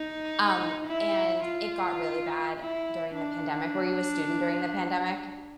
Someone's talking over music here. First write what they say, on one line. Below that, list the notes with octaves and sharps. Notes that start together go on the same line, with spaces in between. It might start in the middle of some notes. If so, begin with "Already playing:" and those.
um, and, it got really bad during the pandemic. Were you a student during the pandemic?
Already playing: D#4
E4
F4
E4
D4